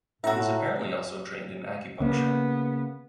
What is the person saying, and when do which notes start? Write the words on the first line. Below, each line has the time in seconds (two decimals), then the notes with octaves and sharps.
He was apparently also trained in acupuncture.
0.24 A2 D#4 F#4 E5 A#5 E6
2.00 C#3 A#3 B3